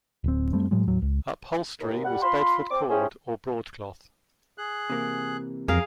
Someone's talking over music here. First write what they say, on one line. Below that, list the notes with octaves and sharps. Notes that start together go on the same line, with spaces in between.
Upholstery was Bedford cord or broadcloth.
D1 C4
F#2 G3 A3 C4
A2 F#3 G#3
D#2 A2 F#3
C#2
D#2
G3 F#5
F4 B5 C6
C4 D6
F3 C#4 E4 G4 G#4
G#4 F#6
C3 E3 A#3
F2 G#4 A#4 F5